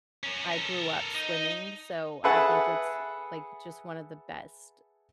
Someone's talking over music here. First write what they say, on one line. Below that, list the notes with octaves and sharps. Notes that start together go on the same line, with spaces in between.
I grew up swimming, so I think it's, like, just one of the best,
C#4 A#4
A4 A#4
D#4
G#4 A4 B4 E5 F#5 A5